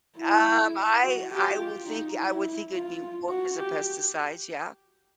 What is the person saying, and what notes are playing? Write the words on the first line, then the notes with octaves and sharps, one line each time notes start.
Um, I I would think I would think it'd be work as a pesticides, yeah.
E4
F#4
G4
F4
D#4
E4
F4
F#4
G4